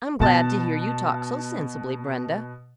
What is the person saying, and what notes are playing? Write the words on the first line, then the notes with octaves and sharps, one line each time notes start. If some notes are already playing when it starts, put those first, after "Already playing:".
I'm glad to hear you talk so sensibly, Brenda.
B2 B3 A5 A6